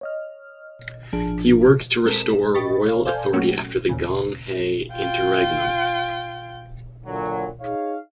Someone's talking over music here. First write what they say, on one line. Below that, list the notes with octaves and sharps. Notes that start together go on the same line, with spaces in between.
He worked to restore royal authority after the Gong He interregnum.
C#5 D#5 F6
A1 F3 D4 G#4 A5
G#3 C4 A4 A#4 B6 E7
A1 G4 D#5 B5 C#6 A6
C#5 F5
A4 C5 D5 F5 G#5 G6
F#3 A3 A#3 C#4 F#4 G4
D#2 A#2 C#3
F4 G5
A#2 D3 E3 F#3
D#4 G#4 C#5 F5